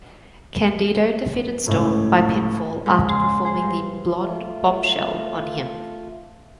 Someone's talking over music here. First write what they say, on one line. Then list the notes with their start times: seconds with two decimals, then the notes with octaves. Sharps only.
Candido defeated Storm by pinfall after performing the "Blonde Bombshell" on him.
1.66 C#2 A2 A3
2.86 G#2
3.08 C#3 G#4 C6
3.45 G#4 C5
3.62 G2
4.20 A3 F4